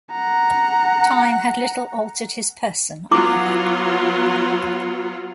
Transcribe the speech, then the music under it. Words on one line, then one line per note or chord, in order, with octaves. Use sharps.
Time had little altered his person either.
F#5 A#5
F#3 B3 E4 F4 D6